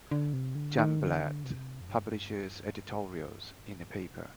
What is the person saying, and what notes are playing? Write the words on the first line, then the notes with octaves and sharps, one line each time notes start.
Jumblatt publishes editorials in the paper.
D3
C3
D3
D#3
D3
C3
F2
G2
G#2
C3